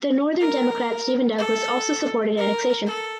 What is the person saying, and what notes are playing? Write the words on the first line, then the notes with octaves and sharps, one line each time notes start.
The northern Democrat Stephen Douglas also supported annexation.
A#4
A4
A#4
A4